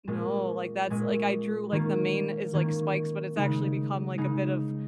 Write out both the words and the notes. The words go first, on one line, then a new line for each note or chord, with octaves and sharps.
No, like, that's like, I drew, like, the main is like, spikes, but it's actually become like a bit of,
A#2 G#3 C#4
A#2 G#3 C#4
D#3 A#3 C#4
D#3 A#3 C#4
C#3 G#3 D#4
C#3 G#3 D#4